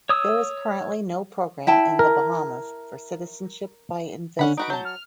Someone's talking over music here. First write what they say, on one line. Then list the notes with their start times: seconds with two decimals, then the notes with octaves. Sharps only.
There is currently no program in The Bahamas for citizenship by investment.
0.09 C#5 D#6 E6
1.67 E4 G5 A5
1.99 A#4
4.39 D3 C#4 F#5 B5
4.57 D#4 F#4 B4 D7
4.70 F#3 A5 G6
4.85 F6